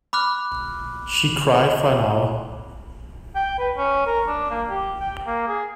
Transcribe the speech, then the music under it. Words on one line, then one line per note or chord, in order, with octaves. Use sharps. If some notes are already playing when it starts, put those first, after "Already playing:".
She cried for an hour.
B5 D6 F6 F#6
G5
B4
C#4
A#4
D4
A#3
G4
G5
A#3
G#4